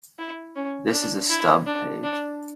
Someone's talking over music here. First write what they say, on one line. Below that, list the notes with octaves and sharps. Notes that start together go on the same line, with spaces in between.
This is a stub page.
E4
C#4
D4
E4
D4
D4